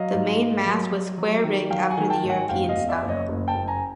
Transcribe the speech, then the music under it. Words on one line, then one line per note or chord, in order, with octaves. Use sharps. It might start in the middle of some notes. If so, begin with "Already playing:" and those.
The mainmast was square-rigged after the European style.
Already playing: F#3 D#5 F5
G#2
A#3
F#3
F#3
F#3
D#3
F#3 F5 G5
F#5 G#5
D#3
G5 A5
G#2
F#5 G#5
F#1 F5 G5
D#5 F5
E2
D5 E5
F#1
C#5 D#5
F#1
G5 A5
F#1
G#5 A#5